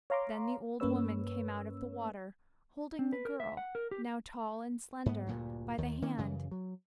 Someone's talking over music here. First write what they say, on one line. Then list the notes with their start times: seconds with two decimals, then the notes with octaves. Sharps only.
Then the old woman came out of the water, holding the girl, now tall and slender, by the hand.
0.10 C#5 F5 A#5 C6 D6
0.80 G2 A#3 C#4 B4 C#5 E6
2.99 C4
3.13 B4
3.25 A#4
3.40 E5
3.57 F#5
3.75 A#4
3.91 G4
5.06 G#2 B3
5.27 D2 G2 A#2
5.78 D#2 D#3
6.02 D#3 A#3 C#4
6.18 F#2 C#3 E3
6.51 F#3